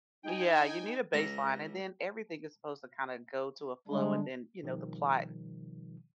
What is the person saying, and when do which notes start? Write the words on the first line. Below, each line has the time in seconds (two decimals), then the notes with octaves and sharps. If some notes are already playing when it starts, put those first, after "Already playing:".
Yeah, you need a baseline, and then everything is supposed to kinda go to a flow and then, you know, the plot
0.23 D#4 G5 G#5
1.14 C#2 A#5
3.88 D3 G3 G#3 D4
4.63 B2 D#3 F3 G3